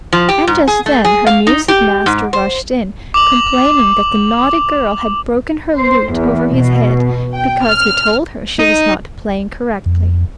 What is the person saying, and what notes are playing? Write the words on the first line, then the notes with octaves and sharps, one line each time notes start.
And just then her music master rushed in, complaining that the naughty girl had broken her lute over his head, because he told her she was not playing correctly.
F3
G4
G#2
G#4
A3
G#4
F5
D#4
G4
G#2
C5
D6 F7 F#7
C5
E2
B2
G5
F6
D#4
F2